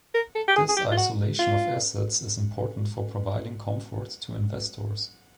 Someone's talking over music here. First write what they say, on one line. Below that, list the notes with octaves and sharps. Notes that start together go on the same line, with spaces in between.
This isolation of assets is important for providing comfort to investors.
A#4
A4
G4
G#4
G#4
G4
F4
F#4
F4